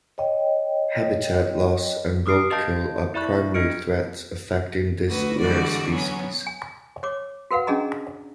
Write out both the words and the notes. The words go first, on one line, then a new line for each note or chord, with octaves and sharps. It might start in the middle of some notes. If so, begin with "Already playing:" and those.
Habitat loss and Roadkill are primary threats affecting this rare species.
C#5 D#5 G5
D6 D#6 F6 C7 D7
G4 D#5 F5 A5 G6
E4 D5 E5 B5 C#6 F#6
D4 F4 D#5 F6 C#7 D7
D2 F#4 B4
D3 E3 G3 G#3 F#4 D5
F#3 B3 C#4
G#5
C#5 D6
F#4 A#4 B4 F5 F#5
C#4 D4 G#4 D#5 A#5